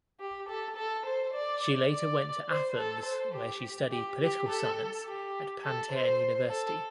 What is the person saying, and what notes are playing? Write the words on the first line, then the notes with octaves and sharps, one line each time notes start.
She later went to Athens where he studied political science at Panteion University.
G4
A4
A4
C5
D5
D5
C5
A4
C5
G4
G4
G4
A4
G4
A4
C5
A4